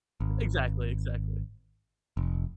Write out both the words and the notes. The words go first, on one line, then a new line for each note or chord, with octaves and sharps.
Exactly, exactly.
G#1
F1